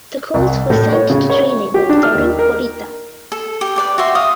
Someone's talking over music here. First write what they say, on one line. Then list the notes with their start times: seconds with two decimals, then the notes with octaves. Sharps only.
The colt was sent into training with Toru Kurita.
0.34 C2
0.70 A2
0.92 C#5
1.10 C#3
1.30 C#5
1.74 G4
1.89 D4
2.03 F6
2.15 D#2
2.39 A#4
3.32 A4
3.61 G4
3.76 B4 D5 G5
3.98 F#4 G4 E5 C6
4.15 F5 D#6